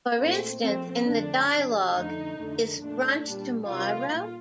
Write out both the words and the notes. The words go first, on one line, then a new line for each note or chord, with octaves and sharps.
For instance, in the dialogue Is it brunch tomorrow?
A#2 A3 C4
A#2 F3 A3 C4
F2 D3 F3 A3 D4
C3 G3
F2 D3 A3 D#4
F2 D3 A3
A#2 A3 D4
A#2 G3
C3 D#3 G3 F4
A#2